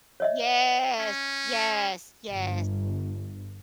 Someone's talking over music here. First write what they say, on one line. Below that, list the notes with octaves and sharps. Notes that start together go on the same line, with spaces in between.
Yes. Yes, yes.
C#5 D#5 E5
C#4
G1